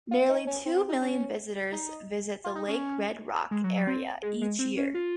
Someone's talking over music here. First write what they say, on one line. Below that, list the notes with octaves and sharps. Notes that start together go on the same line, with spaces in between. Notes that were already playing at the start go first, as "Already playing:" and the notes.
Nearly two million visitors visit the Lake Red Rock area each year.
F4
D#4
C#4
C4
C4
D#4
C#4
D#4
F4
D#4
C#4
G#3
F#3
F#3
C4
G#3
G#3
C4
C#4
F4